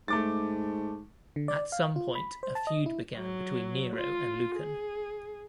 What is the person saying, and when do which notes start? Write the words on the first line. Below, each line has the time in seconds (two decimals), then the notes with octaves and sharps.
At some point, a feud began between Nero and Lucan.
0.08 G#2 A3 D6 A6
1.36 D3
1.48 D5
1.72 F5
1.96 F4
2.15 B5
2.43 C5
2.55 A5
2.67 D#5
2.86 E4
3.17 F#3
3.96 F4
4.57 G#4